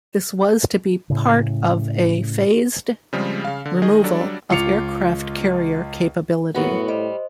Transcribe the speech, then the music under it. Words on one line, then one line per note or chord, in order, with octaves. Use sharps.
This was to be part of a phased removal of aircraft carrier capability.
A2 C#3
C#3 F3 G3 G#3 C4
C#3 F5
D3
D#3 G#4 D#5
F#3 G3 D4 A4 D5
C#2 F4 D6 C#7 F7
F#2 A2 B3 F#4
G3 C5 D#5